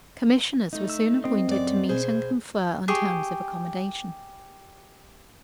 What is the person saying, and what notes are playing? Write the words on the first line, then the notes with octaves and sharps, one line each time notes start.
Commissioners were soon appointed to meet and confer on terms of accommodation.
A3 D#4
E6
C4 D#5
F#2 D5
B2 G#4 C5
G4 G#4 C#6